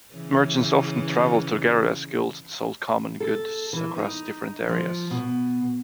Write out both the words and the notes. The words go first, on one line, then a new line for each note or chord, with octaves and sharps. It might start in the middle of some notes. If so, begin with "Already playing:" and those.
Merchants often travelled together as guilds and sold common goods across different areas.
C#3 E3 C#4
A4
E3
D#4
F3
B2